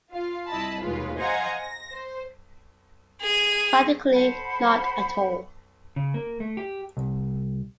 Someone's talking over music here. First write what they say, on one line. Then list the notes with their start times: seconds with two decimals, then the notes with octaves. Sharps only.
Practically not at all.
0.13 F4 F5
0.49 C2 E4 D#5 A5 B5
0.81 D#2 B2 G#3 F4 B4
1.18 C5 D#5 F5 F#5 G#5 A#5
1.60 A#6
1.93 C5
3.22 G#4 D#7
4.12 A4 C5 F#5 B5
5.96 C#3
6.14 A#3
6.40 A3
6.57 G4
6.97 C2